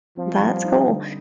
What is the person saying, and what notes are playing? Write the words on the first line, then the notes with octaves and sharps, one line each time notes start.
That's cool.
F3 C4
G3
D#4
D3